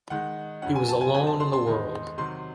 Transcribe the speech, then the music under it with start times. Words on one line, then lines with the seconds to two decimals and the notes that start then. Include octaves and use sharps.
He was alone in the world.
0.10 D#3 G#3 D#4 F#5
0.62 F#2 C#3 F#3 C#4 F#5
0.75 G#5
0.88 A5
1.01 G#5
1.14 C3 F#3 C4 D#4 G#5
1.27 A5
1.40 C6
1.53 C6
1.67 E2 D#3 G#3 D#4
2.18 C3 D#3 F#3 C6